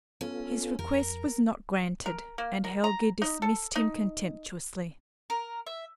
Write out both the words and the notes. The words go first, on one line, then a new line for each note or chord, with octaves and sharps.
His request was not granted and Helge dismissed him contemptuously.
B3 C#4 F4 A4
F2 A#4
A#4
A#3
A#4
A#5
D#4
A4
D#4
A#4
E5